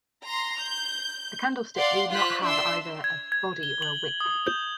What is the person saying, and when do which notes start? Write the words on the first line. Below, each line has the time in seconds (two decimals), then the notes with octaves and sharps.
A candlestick need not have either a body or a wick.
0.23 A#5 C6
0.60 G6
1.77 D5 F5 F#5 C6
2.11 F4 C5 F#6 B6
2.45 D4 E5 C6 E6
3.04 G#6
3.32 G#6
3.63 G7
3.82 F#7
4.20 D#6
4.47 G6